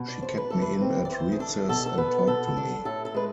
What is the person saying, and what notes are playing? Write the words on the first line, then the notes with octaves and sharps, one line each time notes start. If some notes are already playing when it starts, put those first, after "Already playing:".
She kept me in at recess and talked to me.
Already playing: B2
D5
D4 C5
B4
E3 A4
B4
C4
D5
E3 C5
G#4
D4 A4
B2 A4
A4
B3 B4
B2 A4
D4
A2 A4
A4
G#3 B4